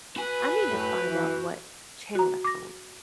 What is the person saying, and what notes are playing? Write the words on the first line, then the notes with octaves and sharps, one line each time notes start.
I need to find out what channel that's on.
F#4 B4 G#5
A2
E3
F#4 A#5
D6 A#6